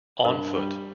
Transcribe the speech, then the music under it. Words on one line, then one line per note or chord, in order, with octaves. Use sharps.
On foot.
G2 A#4
G3